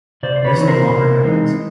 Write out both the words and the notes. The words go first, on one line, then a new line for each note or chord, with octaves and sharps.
This no longer happens.
C3 C5 D5
C5
B4 C#5
E3 G#3 C4 D#4
A#4 C5
C3
E3 G#3 C4 D#4